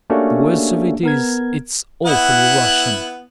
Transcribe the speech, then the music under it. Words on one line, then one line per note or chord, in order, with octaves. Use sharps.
The worst of it is it's awfully Russian.
A3 A#3 C#4 D4 F#4 G4
B3 A#4 G#6
B3 E4 F#5